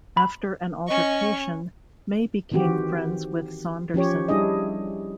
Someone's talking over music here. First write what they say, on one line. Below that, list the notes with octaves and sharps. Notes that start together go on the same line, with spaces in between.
After an altercation, May became friends with Saunderson.
B5
C#4 D#5 C#6
D#3 E3 C4 F#4 G4
F3 C#4 G4 C#5
G3 D4 E4 G#4 D#5